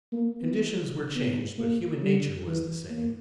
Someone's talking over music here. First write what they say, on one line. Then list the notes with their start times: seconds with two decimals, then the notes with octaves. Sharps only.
Conditions were changed, but human nature was the same.
0.12 A#3
0.41 B3
1.15 B3
1.59 A#3
2.03 G3
2.47 E3
2.91 A#3